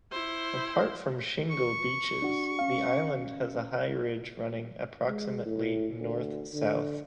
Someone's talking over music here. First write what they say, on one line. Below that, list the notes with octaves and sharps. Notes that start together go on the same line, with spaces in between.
Apart from shingle beaches, the island has a high ridge running approximately north-south.
E4 C5
C#6
D4 F#4
C#4 F5
G#3
A2
D2
D3